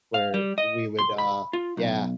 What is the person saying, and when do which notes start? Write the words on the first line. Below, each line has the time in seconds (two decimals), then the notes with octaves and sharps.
where we would, uh yeah,
0.14 F5
0.34 G3
0.58 D#5
0.99 C6
1.18 B5
1.53 F4
1.77 B1